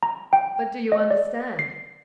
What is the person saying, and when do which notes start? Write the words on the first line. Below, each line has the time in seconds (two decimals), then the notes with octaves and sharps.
"But do you understand?"
0.03 A#5
0.33 G5
0.92 D#5
1.11 D5
1.59 C7